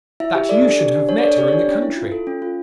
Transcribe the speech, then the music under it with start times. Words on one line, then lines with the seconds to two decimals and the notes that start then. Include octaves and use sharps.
That you should have met her in the country!
0.20 E4 E5
0.35 G4
0.49 A4 D5
0.65 D4
0.79 G4
0.94 D4
1.09 D4 C#5
1.18 D5
1.24 A4 C#5
1.38 G4 D5
1.48 D4 C#5
1.68 C#4
1.82 E4
1.97 F4
2.12 A4
2.27 C#4
2.42 F4